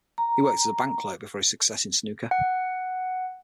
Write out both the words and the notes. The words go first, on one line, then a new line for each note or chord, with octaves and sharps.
He worked as a bank clerk before his success in snooker.
A#5
F#5